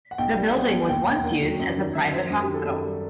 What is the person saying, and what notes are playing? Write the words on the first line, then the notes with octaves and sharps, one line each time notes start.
The building was once used as a private hospital.
F#5
B1 G5
G3
B2 F#5
B2
D#2 G5
E1 G5
D#2 F#5
F#3
F#2
D#3
F#2 E5
F#2 C5
F#2 F#4
G4
D#3
A4
F#2
G3